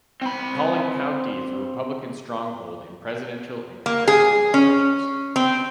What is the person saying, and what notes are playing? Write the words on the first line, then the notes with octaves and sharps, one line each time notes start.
Collin County is a Republican stronghold in presidential and congressional elections.
C4 B5
A#3
G#4
C#4
C4